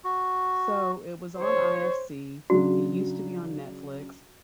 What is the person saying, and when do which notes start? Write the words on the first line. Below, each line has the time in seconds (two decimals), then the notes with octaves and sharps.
So, it was on IFC; It used to be on Netflix.
0.05 F#4
1.38 C5 C#5
2.50 C#3 F#3 D4 F#4